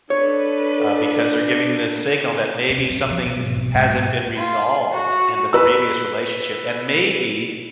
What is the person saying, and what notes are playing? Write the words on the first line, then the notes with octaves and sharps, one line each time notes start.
Uh, because they're giving this signal that maybe something hasn't been resolved in the previous relationship, and maybe
D4 A4 B4 C#5
C3
G2
F3
B2
G#1
B1
G#2
F4
F#4
B4 E6